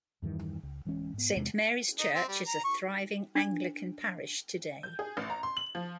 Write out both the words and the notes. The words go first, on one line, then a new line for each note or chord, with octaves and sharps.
Saint Mary's church is a thriving Anglican parish today.
E2 G2 D#3 E3
C#2
D1 E3 G#3 C#4
G#2 B3
E2 C3 G#3
D#4
C4
G3
A#5
C#6
D4
G6
G#4
A1
A#5
C6
F#7
F3